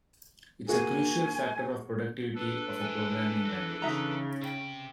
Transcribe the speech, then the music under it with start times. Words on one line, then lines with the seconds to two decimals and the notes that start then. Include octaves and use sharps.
It's a crucial factor of productivity of a programming language.
0.68 A#3 F#4 G#4 G#5
2.35 D4 A4 B4
2.81 E5 G#5
3.45 E3
3.82 C#3 D#4 E5 A#5
4.41 C3 G5